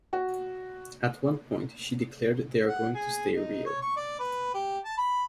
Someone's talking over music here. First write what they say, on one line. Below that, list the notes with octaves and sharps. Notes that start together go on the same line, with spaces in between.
At one point she declared they are going to stay real...
F#4
F#5
G#4
D#4
C#5
C#6
D5
B4
G4
A5
B5